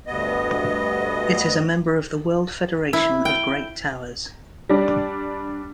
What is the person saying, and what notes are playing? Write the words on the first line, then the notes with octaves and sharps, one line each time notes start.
It is a member of the World Federation of Great Towers.
D2 G2 B3 D#5
E4
G5
G3 D4